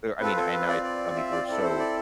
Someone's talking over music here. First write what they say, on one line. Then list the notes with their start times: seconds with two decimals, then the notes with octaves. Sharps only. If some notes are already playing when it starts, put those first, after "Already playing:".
There I mean, and I I mean, we're so
0.20 C4 F4 A4 B4
0.36 A4
0.52 B4
0.68 D5
0.84 D5
1.16 E5
1.31 D5
1.47 C4 E4 A4 D5
1.63 C5
1.79 D5